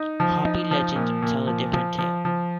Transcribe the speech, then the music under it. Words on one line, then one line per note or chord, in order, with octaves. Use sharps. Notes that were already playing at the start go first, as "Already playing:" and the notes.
Hopi legends tell a different tale.
Already playing: D#4
F3
D#4
F3
A#2
A#2
F3
F3
F3
F3